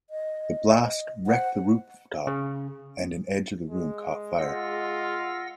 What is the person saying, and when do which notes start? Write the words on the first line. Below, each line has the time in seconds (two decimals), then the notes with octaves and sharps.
The blast wrecked the rooftop and an edge of the room caught fire.
0.10 D#5
1.27 C5 F#5
2.27 C#3
3.70 G#3
4.38 F4 F#5 E6 A#6